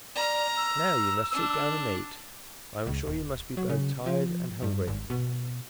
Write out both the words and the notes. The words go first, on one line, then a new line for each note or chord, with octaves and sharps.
"Now, you must sit down and eat; I am sure you must be both tired and hungry."
D5 A#5 F6
E6
D4
C#2
D#1
F#3
C#3
F3
G2
G#1
B2